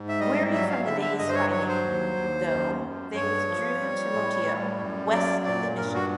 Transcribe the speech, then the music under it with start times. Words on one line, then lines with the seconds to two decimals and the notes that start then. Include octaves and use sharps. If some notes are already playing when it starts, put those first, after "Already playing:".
Weary from the day's fighting, though, they withdrew to Motieau, west of the mission.
Already playing: G#2
0.09 E5
0.20 G3 D#5
0.53 F#3 E5
0.70 F5
0.86 D3 E5
1.02 E5
1.18 G2 D#5
1.29 C5
1.35 C#5
1.51 F#3 C#5
1.68 C5
1.84 D#2
2.17 D#2
2.50 F#2
2.82 F#2
3.15 G2 C#5
3.48 F3
3.81 G3
4.13 A2
4.47 G3
4.79 F#2
5.12 F#3 D5
5.45 A#2 D5
5.77 G2 A#4
5.94 F#4